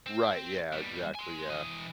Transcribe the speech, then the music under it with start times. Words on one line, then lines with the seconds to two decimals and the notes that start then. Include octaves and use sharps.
Right, yeah, exactly, yeah.
0.07 C4
0.73 B2 G3
1.15 G#5 C6
1.50 E3 D#5